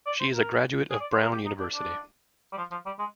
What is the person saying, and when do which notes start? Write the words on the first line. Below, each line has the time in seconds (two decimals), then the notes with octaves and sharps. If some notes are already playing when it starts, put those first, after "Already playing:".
She is a graduate of Brown University.
0.06 D5
0.20 C5
0.34 A#4
0.90 G#4
1.00 D5
1.11 C5
1.22 A#4
1.32 G4
1.46 D#4
1.60 D4
1.74 D4
2.52 G3
2.57 F3
2.71 F3
2.86 G3
2.99 G#3